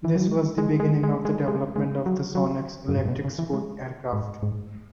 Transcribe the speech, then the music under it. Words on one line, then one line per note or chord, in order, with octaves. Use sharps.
This was the beginning of the development of the Sonex Electric Sport Aircraft.
E3
F#3
G#3
G#3
G#3
G#3
G#3
G#3
G#3
F#3
F#3
F#2
G#2
G#2
B2
C#3
E3
G#3
G#2
G#2